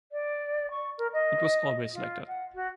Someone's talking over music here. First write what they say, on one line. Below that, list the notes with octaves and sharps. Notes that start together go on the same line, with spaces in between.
It was always like that.
D5
C#6
A#4
D#5
F4
F#5
F#4